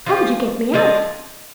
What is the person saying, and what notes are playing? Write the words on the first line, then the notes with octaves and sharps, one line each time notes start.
How did you get me out?
F3 A3 C#4 F4
F3 G#3 D4